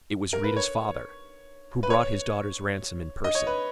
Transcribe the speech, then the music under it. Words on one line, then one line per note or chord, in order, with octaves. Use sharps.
It was Rita's father, who brought his daughter's ransom in person.
A#4
B4
C#5
B4
C#5
D#5
C#5
B4